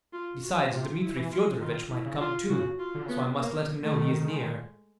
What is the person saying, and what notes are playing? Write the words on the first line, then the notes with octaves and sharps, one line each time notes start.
Besides, Dmitri Fyodorovitch might come, too, so I must let him know he is near.
F4
F#4
C3 F4
E4
E3
F4
D#3 F4
E4
C#3
F4
C#3 F#4
F4
D3
C#3 B3
D3
A#3
D#3 A3
G#3